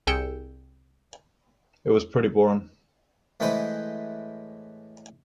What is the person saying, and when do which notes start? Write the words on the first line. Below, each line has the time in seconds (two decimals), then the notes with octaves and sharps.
It was pretty boring.
0.07 C2 G#4 G5 E6 C#7
3.40 A2 E3 G#3 B4 C5